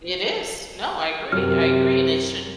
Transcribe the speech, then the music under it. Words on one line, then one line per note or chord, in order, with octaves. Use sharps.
It is, no, I agree, I agree, and it shouldn't
F#2 C3 A#4 F6